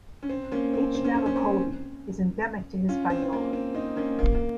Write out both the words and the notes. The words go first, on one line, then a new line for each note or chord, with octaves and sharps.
"H. nabokovi" is endemic to Hispaniola.
C#4
C4
A#3 C#4
C4
C4
C#4
C4
C#4
C4
C#4 F4
C4
C4
A#3
C4
C4 D#4
A#3 C#4
A#3
A#3